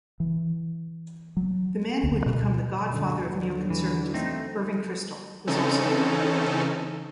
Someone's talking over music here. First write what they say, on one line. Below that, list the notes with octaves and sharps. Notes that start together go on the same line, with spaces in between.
The man who would become the "godfather of Neoconservatism" Irving Kristol was also there.
E3
F#3
D2
B2
F#2 A#2 D3
D#2 D3 F#3
E3
A3 C4 D#4
C#3 E3 C4 C#4 D#4 A4